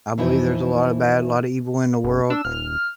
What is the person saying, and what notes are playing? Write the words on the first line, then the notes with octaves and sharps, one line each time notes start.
I believe there's a lotta bad, a lotta evil in the world
F2 E3 D#4 E4
F#1
D4 E6
D#1 F6